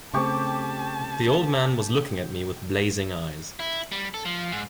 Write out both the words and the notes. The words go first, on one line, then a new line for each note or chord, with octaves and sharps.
The old man was looking at me with blazing eyes.
C#3 A3 C4 G4 A5 C#6 D6
E4
G3
A4
F3
G#2